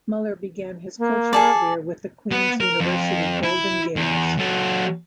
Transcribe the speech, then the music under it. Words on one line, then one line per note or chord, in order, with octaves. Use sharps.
Muller began his coaching career with the Queen's University Golden Gaels.
A#3
G#4 A4 D5
B3
A#4
F2
E4
E2
F#3 A4